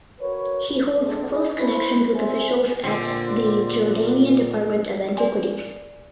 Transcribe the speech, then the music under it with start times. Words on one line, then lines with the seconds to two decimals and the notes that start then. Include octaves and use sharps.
He holds close connections with officials at the Jordanian Department of Antiquities.
0.20 F#4 A#4 B4 C#5
0.69 C2
1.00 A2 G#3 A3 C4 D4
1.30 E4 G#4 B4 D#5
1.59 E4 B4 C5
2.14 C4 G#4 C5 E5 G#5
2.83 A#2 D3 C4
5.17 D5 G#5 C6